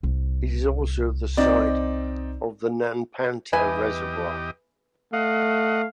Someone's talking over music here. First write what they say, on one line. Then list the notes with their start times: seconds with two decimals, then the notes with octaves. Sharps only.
It is also the site of the Nanpantan Reservoir.
0.03 C2
1.37 C4 D#4 D5
3.53 E2 G4 B4 D#5 E5 G#5
5.13 A3 D#5 F5 F#5